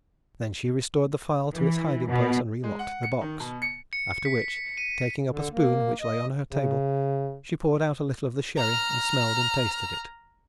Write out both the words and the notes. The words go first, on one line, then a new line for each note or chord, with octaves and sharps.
Then she restored the phial to its hiding-place and re-locked the box--after which, taking up a spoon which lay on her table, she poured out a little of the sherry and smelled and tasted it.
E3
B2
G#3
F#5
C#7
D#3
B2
C#7
C#7
B6
D#7
D3
A#3
D#5
C#3
A#5 F6